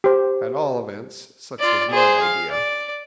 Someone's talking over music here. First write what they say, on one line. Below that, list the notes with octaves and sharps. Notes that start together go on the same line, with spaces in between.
At all events, such was my idea.
G4 C5
F4 D5
G#4 C5
F5
D5